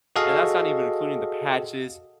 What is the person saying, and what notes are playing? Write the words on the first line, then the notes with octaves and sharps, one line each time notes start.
And that's not even including the patches
F#4 G#4 A4 D#5 F5